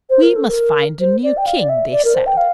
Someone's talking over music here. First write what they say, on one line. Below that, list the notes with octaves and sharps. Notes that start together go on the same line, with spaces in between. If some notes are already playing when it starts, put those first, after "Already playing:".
"We must find a new king," they said.
C5
A#4
A4
A#4
C5
D5
G5
F5
D5
E5
D5
A#4
C5
G5
F5